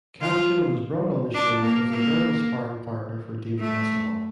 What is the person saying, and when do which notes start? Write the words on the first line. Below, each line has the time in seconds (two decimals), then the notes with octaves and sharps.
Kapture was brought on the show as a verbal sparring partner for David Hasselhoff.
0.21 F4
1.34 D4
1.63 A#3
1.90 A#3
3.59 A3